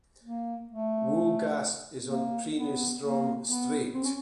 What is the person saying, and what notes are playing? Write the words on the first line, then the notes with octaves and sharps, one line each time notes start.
Wolgast is on Peenestrom strait.
A#3
A3
A#3
B3
A#3
B3
C4
C#4